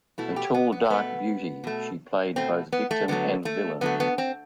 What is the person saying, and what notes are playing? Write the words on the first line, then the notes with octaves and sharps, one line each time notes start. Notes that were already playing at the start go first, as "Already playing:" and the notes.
A tall, dark beauty, she played both victim and villain.
B2 A3 E4
G4
B3
B3
B2 A3 B3
B2 A3
B2 A3 C4
B3
A3
D3 F#3 A3 B3
A3
D3 F#3 A3 B3
B3
C4